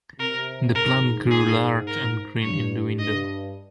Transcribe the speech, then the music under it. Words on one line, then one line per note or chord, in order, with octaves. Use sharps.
The plant grew large and green in the window.
C3 A#4
G#2 A#4
G#4
A#4
G2 C#5
G2 D#5